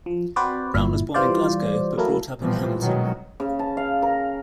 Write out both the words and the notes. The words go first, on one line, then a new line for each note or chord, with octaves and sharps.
Brown was born in Glasgow, but brought up in Hamilton.
F3
C4 F#4 B4 C5 D5
G1 A#2 E4
E3 G3 F4 C5 D5
F#3 A3 A#3 E4 A4 A#4
A#2 E3 F3 G3 B3 C4
B2 D#3 F#3 G#3 C#4
C#3
A5
F5
A#4